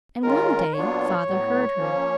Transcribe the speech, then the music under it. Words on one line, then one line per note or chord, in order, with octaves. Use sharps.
And one day father heard her.
D#3 G#3 C#4 F4 A#4
A#2 F#3 B3 D4 F4 C#5
A2 F#3 B3
F3 A#3 C#4